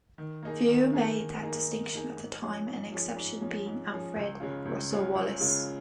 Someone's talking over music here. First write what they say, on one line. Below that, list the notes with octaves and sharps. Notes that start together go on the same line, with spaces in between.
Few made that distinction at the time, an exception being Alfred Russel Wallace.
D#3
A#3 D#4 G#4
D#3
A#3 D#4 G#4
D#3
A#3 D#4 G#4
D#3
A#3 D#4 G#4
G#2
F3 C#4 G#4
G#2
F3 C#4 G#4
G#2
F3 C#4 G#4
G#2
F3 C#4 G#4
C#2
C#3 G#3 C#4 F4
C#2
C#3 G#3 C#4 F4
C#2
C#3 G#3 C#4 F4